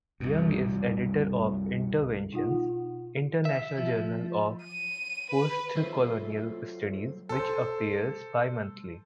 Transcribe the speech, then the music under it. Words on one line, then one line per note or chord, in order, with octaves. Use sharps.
Young is Editor of "Interventions: International Journal of Postcolonial Studies" which appears bimonthly.
C2 F#2
B2 D#4 F4 F#5
E5
F3
D#7
B4
F#3 F4 A4 C5 E5
A4 C5